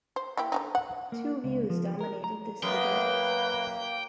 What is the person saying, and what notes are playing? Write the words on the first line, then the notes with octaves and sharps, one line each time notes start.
Two views dominated this debate.
C5
A#3 E4 G4
D3 E3 D#4
F#5
A#3
C#2
F3
A#4
A#5
F#2 A#3 B4 G5